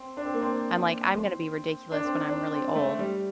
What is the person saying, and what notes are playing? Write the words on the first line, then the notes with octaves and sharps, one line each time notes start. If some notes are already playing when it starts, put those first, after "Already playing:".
I'm like, I'm gonna be ridiculous when I'm really old,
Already playing: C4
D4
C4
A#3
C4
D4
C4
D4
C4
A3
G3